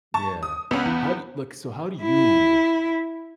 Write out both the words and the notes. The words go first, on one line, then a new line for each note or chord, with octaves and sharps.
Yeah. How do y look. So how do you
A5 C#6
D#6
C#2 B3 C#4
E2
E4